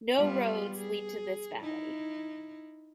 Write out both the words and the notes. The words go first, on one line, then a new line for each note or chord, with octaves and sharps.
No roads lead to this valley.
G3 B3 F4
G#4
D#4 E4